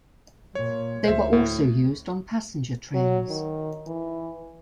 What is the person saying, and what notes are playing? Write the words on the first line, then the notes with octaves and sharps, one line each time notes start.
They were also used on passenger trains.
A#2 C#5
D2 C5 E5
A2
F#3
D#3
E3